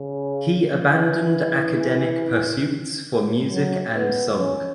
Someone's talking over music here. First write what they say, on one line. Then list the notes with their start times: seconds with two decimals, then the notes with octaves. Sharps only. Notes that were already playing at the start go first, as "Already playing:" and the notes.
He abandoned academic pursuits for music and song.
Already playing: C#3
0.80 E3
3.49 F#3
3.94 B3
4.39 C#4